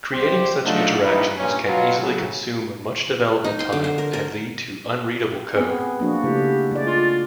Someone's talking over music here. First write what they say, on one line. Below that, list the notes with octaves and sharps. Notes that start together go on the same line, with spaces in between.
Creating such interactions can easily consume much development time and lead to unreadable code.
C2 G4 C5
F#3 A3 D4 D#4 F4 F#4
A#1 G2 D#3 D#4 E4 B4
G2 A#2 C#4
B2 F#3 F4
A2 C#3 F#3
D#4
C6
D3
C5
A#4
A#4
B3 C4 G#4
F3 A#3 D4 F#4
C#3 A3 E4 G4
G#3 D5
F4